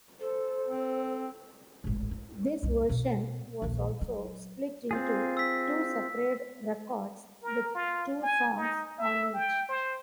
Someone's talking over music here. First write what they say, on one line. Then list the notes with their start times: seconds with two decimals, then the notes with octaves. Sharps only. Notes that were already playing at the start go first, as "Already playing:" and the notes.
This version was also split into two separate records, with two songs on each.
0.20 A4 C5
0.68 C4
1.84 D1 G#1
2.11 E4
2.63 C2 F#2
2.89 B2 B3
3.62 A#1 D#2
4.01 F#3
4.91 C4 F4 G#4
5.37 E6 B6
7.43 A#4
7.75 F4
8.23 G#5
8.57 D#4
8.99 E5
9.34 G5
9.69 C5